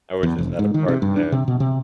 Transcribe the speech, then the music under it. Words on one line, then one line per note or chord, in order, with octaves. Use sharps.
I was just at a park that
E2
F1
G#2
D#3
C3
G2
D4
C3
B2
C3